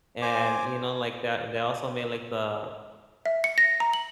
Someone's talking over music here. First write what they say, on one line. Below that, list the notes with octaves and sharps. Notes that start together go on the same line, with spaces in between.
And you know, like that they also made like the
C5 G#5 D6
E5
C#7
A#6
A#5
F#7